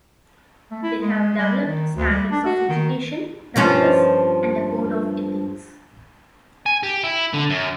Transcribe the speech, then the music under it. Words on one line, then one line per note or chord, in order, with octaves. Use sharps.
They have developed standards of education, practice, and a code of ethics.
A3
E4
G#3
G3
D#3
D2
G3
D4
F#4
D#3
G2 F3 C#4
G#5
G4
E4
D3
F#2